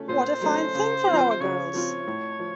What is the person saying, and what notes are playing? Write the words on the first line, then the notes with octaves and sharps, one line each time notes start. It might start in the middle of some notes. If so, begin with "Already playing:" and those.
What a fine thing for our girls!
Already playing: A3 C#4
A#2 C5
F#3 A3 C#4
C#3
F3 C4 F4
C5
C#3 C#5
F3 C4 F4
A2
F3